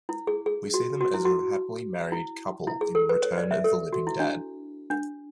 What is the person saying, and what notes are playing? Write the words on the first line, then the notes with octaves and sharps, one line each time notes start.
We see them as a happily married couple in "Return of the Living Dad".
E4
G#4
G#4
F#4
F#4
E4
F#4
E4
E4
G#4
A4
B4
C#5
D5
E5
A4
F#4
E4
D4
D4